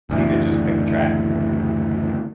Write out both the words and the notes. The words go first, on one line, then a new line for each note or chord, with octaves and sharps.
you could just pick a track or,
F#1 D2 E3